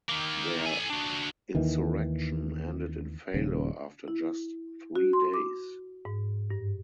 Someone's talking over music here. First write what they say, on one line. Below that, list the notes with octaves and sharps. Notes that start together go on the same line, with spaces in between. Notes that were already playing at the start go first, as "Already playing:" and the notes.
Their insurrection ended in failure after just three days.
D#3 A#3
A4 G#5
D4 F#4
D#2 D#3 E3
D#1 C#3
E4
F#4
C6
D6
G#2
G2